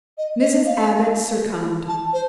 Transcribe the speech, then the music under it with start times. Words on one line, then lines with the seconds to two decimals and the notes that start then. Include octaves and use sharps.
Mrs. Abbott succumbed.
0.18 D#5
0.42 D#5
0.67 F5
1.88 A5
2.13 C5